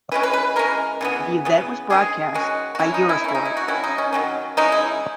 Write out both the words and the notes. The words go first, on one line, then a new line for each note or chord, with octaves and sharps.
The event was broadcast by Eurosport.
E3 G#3 C#4 B4
B4
B4
E3 G#3 C#4 A#4
C#3 E3 B3
C#3 E3 B3
D#3 G#3 C#4 G#4
D#3 G#3 C#4 F#4
F#4
E3 A#3 C#4 E4
D#4
E4
E3 A#3 C#4 E4
D#4
E4
F#4
D#3 F#3 C#4 E4
D#4
C#4
D#3 F#3 C#4
E3 G#3 C#4 D#4
E4